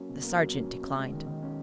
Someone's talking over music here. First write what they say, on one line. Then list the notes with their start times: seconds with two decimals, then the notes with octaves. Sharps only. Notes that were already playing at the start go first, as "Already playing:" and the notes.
The sergeant declined.
Already playing: F#3 A#3 C#4
0.09 B2
0.23 A#3
0.39 F#3
0.53 C#4
0.69 B2
0.83 C#4
0.98 G#3
1.12 D#3
1.27 D#3
1.42 C#4